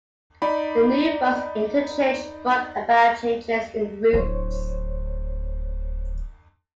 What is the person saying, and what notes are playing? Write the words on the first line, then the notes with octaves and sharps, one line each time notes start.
The new bus interchange brought about changes in routes.
D#4 D5 B5
D1 D4 C5 C#5